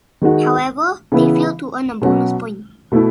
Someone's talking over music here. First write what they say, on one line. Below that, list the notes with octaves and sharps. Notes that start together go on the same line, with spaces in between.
However, they failed to earn a bonus point.
D#3 G#3 D#4 F#4
C#3 E3 B3 E4
B2 F#3 C#4 F#4
B2 A3 E4